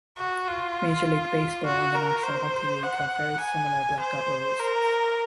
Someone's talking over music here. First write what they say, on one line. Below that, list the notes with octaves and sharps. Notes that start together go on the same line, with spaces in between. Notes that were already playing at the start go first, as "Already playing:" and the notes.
Major League Baseball and the National Hockey League have very similar blackout rules.
F#4
F4
F#4
A#4
C5
F#5
G#5
C5
A#4